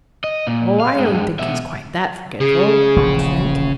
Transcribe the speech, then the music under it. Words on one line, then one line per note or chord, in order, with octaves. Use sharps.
"Oh, I don't think he's quite that forgetful!" laughed Frank.
D#5
A#2
F5
G2 G#3
B2 E5
C#3 G#4
D#1 A1 F3